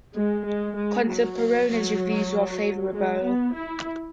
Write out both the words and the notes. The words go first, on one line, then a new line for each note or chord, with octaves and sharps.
Contemporaneous reviews were favorable.
G#3
G#3
G#3
F#3
F#3
G#3
B3
E4